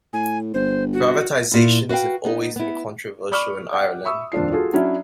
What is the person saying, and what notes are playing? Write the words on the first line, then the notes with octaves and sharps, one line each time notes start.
Privatisations have always been controversial in Ireland.
A2 G#5
G1 C5
F#4
A#2 E4
F#4 B4 E5 F5 G5
B3 D#4
B3 E4
D5 B5 C#6 D6 F6
D5 F#5 G5
E5 B5 C#6 D#6 E6
D#1 F2 D4 F4 C7
F4 F#4 G#4 A4
F#3 C#4 D4 E4 E5